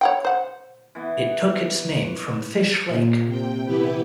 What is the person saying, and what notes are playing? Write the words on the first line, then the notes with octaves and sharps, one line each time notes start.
It took its name from Fish Lake.
C#5 F#5 G5
C5 F#5
E3 B3
A#2
C3 G5
E3 B3 E4 G4 B4